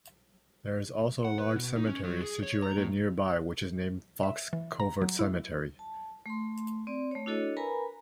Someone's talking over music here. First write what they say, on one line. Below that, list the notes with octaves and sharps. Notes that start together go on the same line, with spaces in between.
There is also a large cemetery situated nearby which is named Fox Covert Cemetery.
F#5
B4
B2
D#4
C#4
F#3
G#4
C#5
A#5
A2
E5
E3
A#5
F#3
E4
A5
A3 C6
C4 D5
A3 C#5
D4 E4 F#4 A4 C#5 D#5
A#4 B4 G#5 A#5 B5